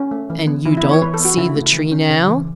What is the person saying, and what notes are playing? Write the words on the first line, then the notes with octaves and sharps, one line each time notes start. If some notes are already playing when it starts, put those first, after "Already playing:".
"And you don't see the tree now?"
Already playing: C#4
A3
E3
B3
E3 E4
E4
B3
C#5
E3 B4
A4
B3
F#4
C#3 E4
A3
E3
C#4
C#3
E3